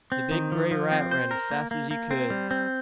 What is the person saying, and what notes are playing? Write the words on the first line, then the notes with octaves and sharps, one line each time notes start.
The big grey rat ran as fast as he could.
C4
D#3
F3
F3
C4
C5
A#4
A#3
A#3
A#3
C4
G3
C4